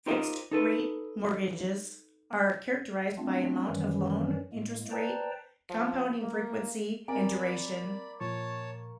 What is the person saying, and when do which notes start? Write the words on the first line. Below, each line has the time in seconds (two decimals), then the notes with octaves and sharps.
Fixed-rate mortgages are characterized by amount of loan, interest rate, compounding frequency, and duration.
0.06 D#4 F4 G4 A#4 C5 D#5
0.51 D#4 A4 B4
3.18 A3 B3 C4 D4 F4
3.67 F#2 D#3 E3 F#3 G3 C#4
4.53 A2 G#3 A#3
4.91 B4 C5 D5 G5 A5 A#5
5.70 F3
6.21 A#3
7.08 A#3 C4 A#4 D5 G#5 B5
8.20 A#2 F3 C#5 A5 C#6